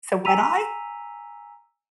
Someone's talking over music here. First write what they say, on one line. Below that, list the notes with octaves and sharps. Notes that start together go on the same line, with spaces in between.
So, what I
G#5 A#5 E6 B6 D#7 F7